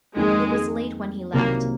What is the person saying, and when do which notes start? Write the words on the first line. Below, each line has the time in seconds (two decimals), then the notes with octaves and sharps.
It was late when he left.
0.16 F2 D#3 G#3 A#3 D#4
1.34 C2 C3 D#3 F#3 A#3